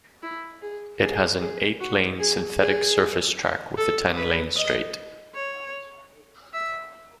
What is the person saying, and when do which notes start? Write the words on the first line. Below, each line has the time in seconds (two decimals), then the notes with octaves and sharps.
It has an eight-lane synthetic surface track with a ten lane straight.
0.23 E4
0.62 G#4
1.01 G#4
1.41 G#4
1.80 F#4
2.19 G#4
2.59 G#4
3.77 A4
4.17 B4
4.56 D#5
5.35 C#5
6.53 E5